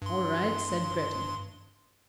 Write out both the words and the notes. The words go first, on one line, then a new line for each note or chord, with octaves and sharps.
"All right," said Breton.
G2 C6